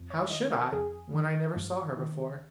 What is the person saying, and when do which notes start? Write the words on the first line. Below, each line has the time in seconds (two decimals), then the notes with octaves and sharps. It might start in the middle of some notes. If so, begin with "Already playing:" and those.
"How should I, when I never saw her before?"
Already playing: F2
0.10 C#5
0.30 D#3 D#5
0.52 A#4
0.72 F2 G#4
1.14 D#3
1.56 G2
1.97 D#3